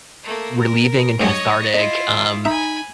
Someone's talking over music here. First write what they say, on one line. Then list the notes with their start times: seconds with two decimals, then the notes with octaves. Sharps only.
relieving and cathartic, um,
0.23 A3 A#3
0.59 A#4
1.20 G2 F#3 G#3 C#5 D#5
1.74 E4 F4 D#5
2.45 D#4 E5 G#5 B5